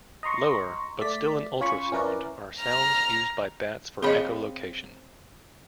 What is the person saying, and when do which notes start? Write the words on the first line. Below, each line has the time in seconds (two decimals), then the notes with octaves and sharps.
Lower, but still in ultrasound, are sounds used by bats for echolocation.
0.23 D#5 A#5 C6 C#6
1.02 A3 D5 B6
1.60 C#4 F4 C#5 G#5 B5 C#6
1.92 C#4 E4 A#4 B4 D5
2.61 A#5 F6
4.03 C4 G#4 C#5 D#5 F5 B5